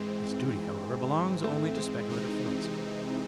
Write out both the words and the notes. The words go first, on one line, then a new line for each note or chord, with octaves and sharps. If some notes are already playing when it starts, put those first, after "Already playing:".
This duty, however, belongs only to speculative philosophy.
Already playing: G#2 E3 G#3 C4
A3
G#3
C3 E3 C4 D#4